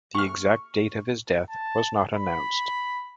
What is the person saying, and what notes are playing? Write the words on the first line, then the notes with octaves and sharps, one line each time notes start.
The exact date of his death was not announced.
C#6 F6
A5
B5